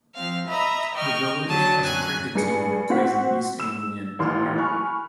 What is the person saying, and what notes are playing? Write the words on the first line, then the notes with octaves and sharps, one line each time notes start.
The village has a cricket team that plays in the East Anglian Premier League.
F3 C4 F5
D#5 E5 A#5 B5
D#5 G5 C#6 F6
D#2 D3 F#3 A5 D#6
F#2 G#5 F#6
G2 G#4 C#7
C4 F#4 F#5 B6
E6 E7
A1 D#2 C6 F6
G#5 B5 C#6 F6 F#6